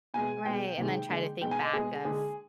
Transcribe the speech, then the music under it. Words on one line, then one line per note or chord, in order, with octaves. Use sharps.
Right, and then try to think back of,
B2 G#3 G#5
B2 G#3 G5
C3 D#3 G#3
D3 G#3
B2 G#3 G5
G#5
D#5
B2 G#3 G#4
D3 G#3 G#4